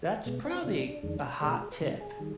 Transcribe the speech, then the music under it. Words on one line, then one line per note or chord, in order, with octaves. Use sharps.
that's probably a hot tip.
B2 G#3 B3
C4
C3 D#3 G#3 D4
F2 D#3 G#3
B2 G#3 D4
F4
G#4
B4
C3 D#3 G3
G#4
D#3 G3